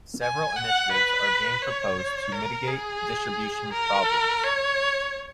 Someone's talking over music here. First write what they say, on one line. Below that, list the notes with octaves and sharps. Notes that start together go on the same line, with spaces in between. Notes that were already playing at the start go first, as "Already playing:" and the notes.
Several initiatives are being proposed to mitigate distribution problems.
G#5
F#5
B4
C#5
A#4
G#4
A#4
C#5